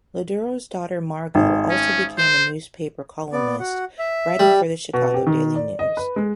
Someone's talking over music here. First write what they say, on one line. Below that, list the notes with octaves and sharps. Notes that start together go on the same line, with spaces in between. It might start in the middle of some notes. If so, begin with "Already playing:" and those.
Lederer's daughter Margo also became a newspaper columnist, writing for the "Chicago Daily News".
G#1
C#4
C5
B3 D5
F#4 F#5
E5
G3
B2
G4
D#3
D5
D#5
B4
G#3